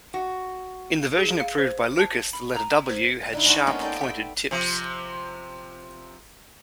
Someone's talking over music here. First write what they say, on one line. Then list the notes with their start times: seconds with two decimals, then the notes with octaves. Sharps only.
In the version approved by Lucas, the letter "W" had sharp, pointed tips.
0.14 F#4
1.17 G#4
1.40 F5
1.58 C5
1.99 A5
2.33 B5
2.56 A#5
2.89 C5
3.33 D3 D#4 E4
3.45 G#3 D4 D#4 F4 F#4
3.67 G#3 A#3 B3 C#4 A#4 C#5
3.81 D#4 A4 D5 G5
4.01 E5 G5
4.51 C3 F3